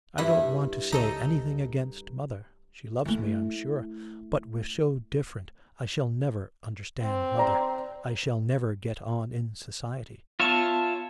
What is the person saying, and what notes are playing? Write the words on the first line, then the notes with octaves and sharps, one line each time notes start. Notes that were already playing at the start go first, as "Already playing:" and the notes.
I don't want to say anything against mother; she loves me, I'm sure: but we're so different, I shall never understand mother, I shall never get on in society.
G2 E4
C#2 D#4 A4 D#5
A3 E4
C4
D5 A#5
B3 F4 C#5 E5 A5